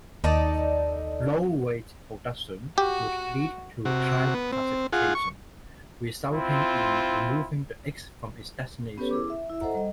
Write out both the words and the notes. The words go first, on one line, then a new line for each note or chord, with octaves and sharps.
Low-rate production would lead to type-classification, resulting in removing the "X" from its designation.
D#2 D#4 A4 D5
F#4 G4
C3 F#4
B3
C4
F4 G#4 F#5
C#6
C4 E4 F4
B3 C#4 G4 A4 B4 C#5
E4 G#4 D6
E5
E4 E5
A4 C5 D#5 F#5 A#5
G3 D#5